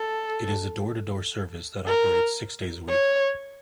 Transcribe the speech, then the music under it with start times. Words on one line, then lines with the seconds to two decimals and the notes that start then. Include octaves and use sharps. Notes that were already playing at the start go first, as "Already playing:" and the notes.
It is a door to door service that operates six days a week.
Already playing: A4
1.87 A#4
2.89 C#5